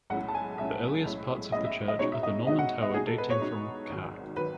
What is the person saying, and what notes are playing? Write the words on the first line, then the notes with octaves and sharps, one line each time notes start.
The earliest parts of the church are the Norman tower dating from ca.
B1 A2 G#3 C#4 E4 F#5
A5
G#5
B1 A2 G#3 C#4 E4 E5
B1 A2 G#3 C#4 E4
B1 A2 G#3 C#4 E4 D#5
E5
D#5
B2 G#3 D#4 F#4 C#5
E5
D#5
B2 G#3 D#4 F#4 D#5
F#5
D#5
B2 G#3 D#4 F#4 G#4
A4
B4
C#5
B2 G#3 D#4 F#4
G#1 G#2 D#3 F#3
D#3 F#3 B4